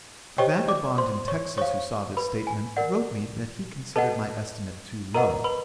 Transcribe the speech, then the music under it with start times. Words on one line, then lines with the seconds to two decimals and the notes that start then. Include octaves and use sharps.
A vagabond in Texas who saw this statement wrote me that he considered my estimate too low.
0.38 G4 C5 C#5 D#5 G5 C#6
0.68 D5 D6
0.98 C5 C6
1.28 C#5 C#6
1.57 C5 C#5 F5 C#6
2.17 B4 B5
2.47 G#5
2.76 A#4 D5 F#5
3.96 A4 B4 D#5 F#5 A5
5.14 A#4 B4 D#5 F#5 A#5
5.44 B4 B5